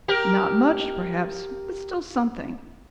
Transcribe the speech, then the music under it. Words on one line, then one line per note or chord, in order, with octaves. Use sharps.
"Not much, perhaps, but still something."
G4 A#4